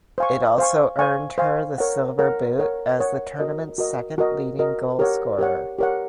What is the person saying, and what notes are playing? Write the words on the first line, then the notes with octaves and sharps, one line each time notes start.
It also earned her the Silver Boot as the tournament's second leading goal scorer.
C5 F5 G#5 C#6
C5 F5 G#5 C#6
C5 F5 G#5 C#6
C5 F5 G#5 C#6
A#4 C#5 F#5
A#4 C#5 F#5
A#4 C#5 F#5
A#4 C#5 F#5
F#4 A#4 D#5
F#4 A#4 D#5
F#4 A#4 D#5
F#4 A#4 D#5
G4 A#4 C#5 F#5
G4 A#4 C#5 F#5
G4 A#4 C#5 F#5